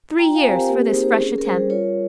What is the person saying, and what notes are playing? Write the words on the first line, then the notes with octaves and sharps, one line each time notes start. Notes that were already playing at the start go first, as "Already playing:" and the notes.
Three years for this fresh attempt.
F4 G5 A#5
F5 G#5
C4 C5
G4 A#4
A#3 G4 A#4
G#4 C5
D#4
G#4 C5
C#4 G#4
A#4
G3 G#4 C5
F4 A#4 C#5